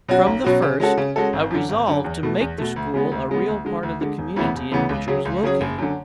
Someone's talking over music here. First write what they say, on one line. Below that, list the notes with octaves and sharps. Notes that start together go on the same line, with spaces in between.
From the first, I resolved to make the school a real part of the community in which it was located.
B2 F#3 C#4 F#4
B1
B2 F#3 C#4 F#4
C#3
G#3 C#4 F#4 A4
C#3
G#3 C#4 F#4 A4
G#1
F#2 D3
G#1
F#2 D3
E2
B2 A3
E2
B2 A3
D2
C#3 G#3 B3
D2
C#3 G#3 B3
D2
D3 G#3
D2
D3 G#3
E1
D2 C#3 E3 B3
E1
D2 C#3 E3 B3
C#2
C#3 F#3 C#4 G#4
C#2
C#3 F#3 C#4 G#4
F#1
F#2 D3